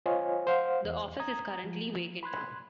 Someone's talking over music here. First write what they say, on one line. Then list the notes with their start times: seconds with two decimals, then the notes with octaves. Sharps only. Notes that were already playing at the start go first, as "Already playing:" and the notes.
The office is currently vacant.
0.06 F4 C5 C#5 D#5 F5 G#5
0.47 C5 F5 F#5
0.85 E2
1.19 A#5 D#6 G#6
1.64 F3
2.23 B5 C6 F#6 G#6